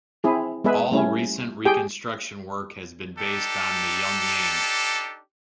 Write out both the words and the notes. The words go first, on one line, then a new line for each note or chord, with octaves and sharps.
All recent reconstruction work has been based on the "Yunjing".
C4 E4 G#4
G#3 B3 G#4 B4 E5
G3 A3 C#4 E4
G4 G#4 G5
D4 D#4 G4 A4